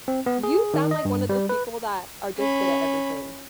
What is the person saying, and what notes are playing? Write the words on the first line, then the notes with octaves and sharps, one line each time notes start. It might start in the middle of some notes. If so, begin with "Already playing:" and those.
You sound like one of those people that are just good at everything.
C4
B3
G#4
D#3
D#5
G2
G3
B4
C#4 B5